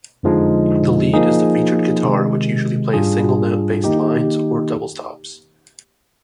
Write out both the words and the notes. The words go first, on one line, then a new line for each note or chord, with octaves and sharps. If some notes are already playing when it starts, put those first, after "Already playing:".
The lead is the featured guitar, which usually plays single-note-based lines or double-stops.
F2 D3 F3 G#3 D#4
F3 A#3 D#4 G#4
C3 D#3 G#3
G#2 G3 D4 F4 G#4
D#3 A#3 D#4 G4